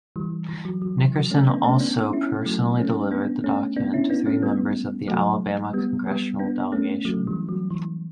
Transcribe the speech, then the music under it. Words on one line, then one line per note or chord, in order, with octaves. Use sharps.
Nickerson also personally delivered the document to three members of the Alabama congressional delegation.
E3 G3
E3
F#3
F#3
E3
F#3
A3 C#4
B3 D4
A3 C#4
B3 D4
C#4 E4
F#3 A3
A3 C#4
B3 D4
A3 C#4
B3 D4
C#4 E4
B3 D4
A3 C#4
G3 B3
F#3 A3
G3 B3
G3 B3
B3 D4
A3 C#4
F#3 A3
E3 G3
F#3
E3